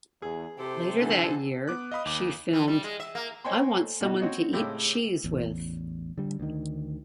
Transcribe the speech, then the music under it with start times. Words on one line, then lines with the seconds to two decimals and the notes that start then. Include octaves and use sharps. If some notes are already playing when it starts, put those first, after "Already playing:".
Later that same year, she filmed "I Want Someone to Eat Cheese With".
0.22 E2 G#4
0.59 C3 G4 A4 C5
1.01 D3 E3 G#4
1.68 B3 D6 F#6
1.92 D#5 F5 B5 D#6
2.06 D#2 D6
2.53 E3
2.68 G3
2.84 G#3
3.00 E5
3.15 A#3
3.45 C5 C#5 D#5 G5 G#5 C6
3.81 A3
4.01 B2 D#4 F#4
4.21 C4 C#4 F#4 C#5 D#5
4.53 A2 C#3 G#3 A3 C4 G4
5.24 A1 E2
6.18 D3 G3
6.40 D2 D#3